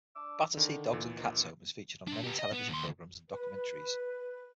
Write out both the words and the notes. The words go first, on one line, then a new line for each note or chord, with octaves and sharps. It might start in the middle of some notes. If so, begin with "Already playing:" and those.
Battersea Dogs and Cats Home has featured on many television programmes and documentaries.
D4 D6 E6
D3 D#3
D2 A#2 E3
G2 D#3 F3
D4 A#4
B3 G4
D#5
B3
D#2 C6
B4